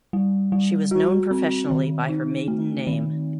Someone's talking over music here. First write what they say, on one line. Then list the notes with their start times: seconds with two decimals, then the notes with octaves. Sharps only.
She was known professionally by her maiden name.
0.13 G3
0.52 G3
0.91 F#4
1.31 C4
1.70 D#3
2.09 D#4
2.48 A3
2.87 D#3